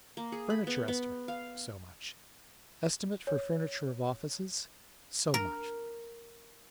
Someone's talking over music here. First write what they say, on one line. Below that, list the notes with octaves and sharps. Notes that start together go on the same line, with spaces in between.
Furniture estimate, so much. Estimate for furniture of offices, so much.
A#3
G#4
B5
B3
B3
F5
C#5
A#4